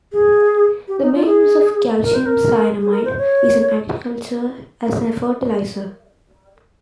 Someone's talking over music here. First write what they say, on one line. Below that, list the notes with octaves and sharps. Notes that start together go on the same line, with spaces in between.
The main use of calcium cyanamide is in agriculture as a fertilizer.
G#4
G4
D#4
F4
A#4
G#4
A#4
C5
A#4
G#4
A#4
C5
C#5